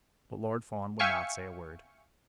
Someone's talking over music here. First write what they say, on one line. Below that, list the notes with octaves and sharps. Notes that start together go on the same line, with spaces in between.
But Lord Fawn would not say a word.
E5 F5 G5 G#5 C#6 C#7